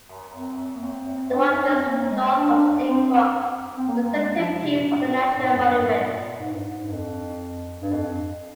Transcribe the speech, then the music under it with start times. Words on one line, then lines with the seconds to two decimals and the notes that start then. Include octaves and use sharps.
The one just north of Saint Croix is the centerpiece of the National Monument.
0.34 C4
0.75 A#3
0.84 C4
1.35 D4
1.47 D#4
1.59 D4
1.73 C4
1.86 A#3
1.98 A#3
2.10 G#3
2.36 D4
2.87 C4
3.77 C4
3.88 A#3
4.13 G#3
4.38 F3
4.63 C3
4.76 A#2
4.89 A#2
5.35 G2
5.39 G#2
5.52 F2
5.65 G2
5.77 G#2
5.89 A#2
6.40 G#2
6.51 G2
6.61 G#2
6.86 G2
6.92 F2
7.82 G2
7.92 F2